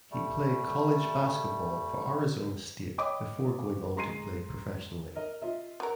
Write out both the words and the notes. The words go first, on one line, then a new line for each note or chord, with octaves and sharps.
He played college basketball for Arizona State before going on to play professionally.
G3 A3
C#5 D#5 G5 B5 D6 D#6
G#3 A#5 C6 C7 D#7
A#4 D#5
F4 D#5 E5
F#3 A#4